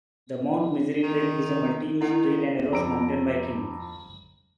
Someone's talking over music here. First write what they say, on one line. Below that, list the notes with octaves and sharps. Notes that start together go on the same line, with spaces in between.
The Mount Misery Trail is a multi-use trail and allows mountain biking.
D#3
D#3 E4 F#5
F2 A#5 E6 D7